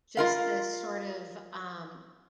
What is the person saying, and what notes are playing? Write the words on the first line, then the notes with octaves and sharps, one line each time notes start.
just this sort of, um
F4 A#4 F5